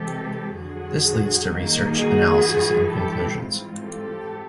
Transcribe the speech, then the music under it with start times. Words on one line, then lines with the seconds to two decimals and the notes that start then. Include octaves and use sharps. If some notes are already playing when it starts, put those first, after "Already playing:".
This leads to research, analysis and conclusions.
Already playing: C3 E3 G#3 G4 A4
0.54 F2 D3 F#3 F#4 G#4
1.48 D#3 G3 A#3 D#4
1.95 F#4 G#4
2.42 G2 E3 G3
2.88 G4 A4
3.35 G#2 E3 G3 C4 F4
3.81 G4 A4